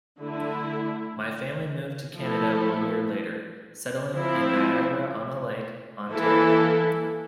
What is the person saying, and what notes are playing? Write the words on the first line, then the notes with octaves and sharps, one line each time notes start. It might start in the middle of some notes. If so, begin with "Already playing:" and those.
His family moved to Canada one year later, settling in Niagara-on-the-Lake, Ontario.
D3 A3 E4
F3 A3 E4 A4
F3 C4 E4
E3 A#3 E4 A4